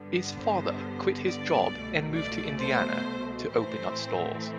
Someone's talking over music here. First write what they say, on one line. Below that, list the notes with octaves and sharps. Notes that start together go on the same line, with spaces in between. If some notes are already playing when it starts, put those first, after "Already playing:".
His father quit his job and moved to Indiana to open up stores.
Already playing: G2 D3 G3 B3
C5
D5
C2 B2 A3
D5
C5
A2 E3 A3 C4 C5